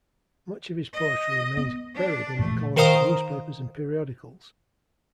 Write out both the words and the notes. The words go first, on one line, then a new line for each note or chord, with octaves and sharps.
Much of his poetry remains buried in the columns of newspapers and periodicals.
D#5
B3
D4
A#2 E3 F3 A3
D#3 A#4 C5 F5 A#5 D#6